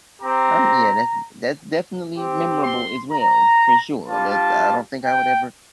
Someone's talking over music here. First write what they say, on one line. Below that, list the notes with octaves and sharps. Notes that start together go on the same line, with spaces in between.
I'm yeah, that's that's definitely memorable as well, for sure. That's I don't think I would ever
C4 G4 A#5
C4 G4
C6
A#5
G3 D4 F4 A5
G5